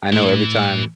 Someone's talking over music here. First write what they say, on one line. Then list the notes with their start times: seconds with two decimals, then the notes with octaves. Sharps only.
I know every time
0.13 A2 E3